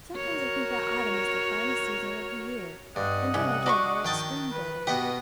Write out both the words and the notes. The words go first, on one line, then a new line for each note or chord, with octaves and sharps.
"Sometimes I think that autumn is the finest season of the year, and then again I like spring better."
F#4 A#4 C#5
G2 D#5 F#5
C2 C#4
D4 F#4 B5 C#6
D#3 G5 A5
B4
B2 G4 D#5 F#5